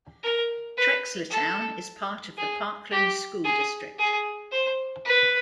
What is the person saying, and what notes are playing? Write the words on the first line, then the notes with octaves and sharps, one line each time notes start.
Trexlertown is part of the Parkland School District.
A#4
B4
A4
G#4
G4
G#4
G#4
C5
B4